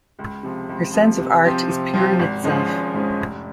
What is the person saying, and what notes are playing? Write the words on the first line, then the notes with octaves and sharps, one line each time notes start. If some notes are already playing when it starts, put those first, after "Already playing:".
Her sense of Art is pure in itself.
C#2
C3 F3
C#2
C3 F3
C3
F3 C4 G4
C3
F3 C4 G4
G#1
G#2 F3 G#3 C#4
G#1
G#2 F3 G#3 C#4
F1